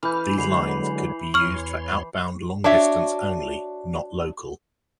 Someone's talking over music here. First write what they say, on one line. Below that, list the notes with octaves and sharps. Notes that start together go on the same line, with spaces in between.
These lines could be used for outbound long-distance only; not local.
E3 B5 F6 G6
D3 F#3 G#3 C7 F7 F#7
E2 C#5 C6 C#6 F6
D4 F#4 C#5 E5